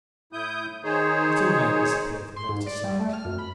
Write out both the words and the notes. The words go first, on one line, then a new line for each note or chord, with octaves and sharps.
The two men disappeared from Walter's sight.
A2 E4 D#6 G6
D#3 D#4 G#4 C5 C#5
C6
G#2
D5
G3
A3
F6
F#2
B5